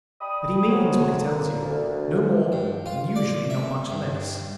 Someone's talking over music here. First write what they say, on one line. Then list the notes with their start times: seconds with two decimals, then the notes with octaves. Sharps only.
But he means what he tells you, no more, and usually not much less.
0.21 D5 G5 B5 D#6
0.69 C3 E3 B3 C#4 F#4
1.21 A#3 D4
1.64 D2
2.52 G2
2.86 F4
3.16 D5
3.50 E5
3.90 G2